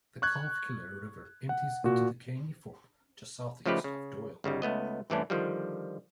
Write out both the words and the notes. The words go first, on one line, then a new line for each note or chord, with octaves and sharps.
The Calfkiller River empties into the Caney Fork just southeast of Doyle.
C#6 F#6 G#6
F#5
A#2 F#4
C#3 F3 A3 D#4 G4 B4
C#3
G1 C#3 G3 D#4
C#2 A3 B3 D#5
G2 C3 E3 A3 C#4 D4
D3 D#3 F3 G3